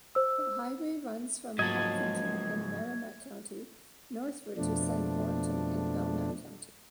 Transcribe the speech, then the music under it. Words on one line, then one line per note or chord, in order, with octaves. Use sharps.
The highway runs from Hopkinton in Merrimack County northward to Sanbornton in Belknap County.
C5 E6
G#2 F3 F#3 A#3 D#5 A5 G#6
F2 B2 F3 A3 D4